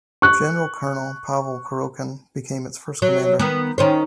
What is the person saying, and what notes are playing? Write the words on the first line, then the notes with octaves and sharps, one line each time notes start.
General Colonel Pavel Kurochkin became its first commander.
C#6 F#6
F#3
D#3 B3
D#3 C#4 C5